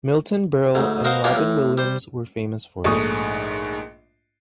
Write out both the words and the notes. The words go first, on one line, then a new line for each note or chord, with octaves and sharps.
Milton Berle and Robin Williams were famous for it.
D2 G#2
F#4 A#4 C5 D#5 F5
G3 A#3 B3 C#4 D4 F4
A2
G3 C5
A#1 G#2 A3 C#6 D#6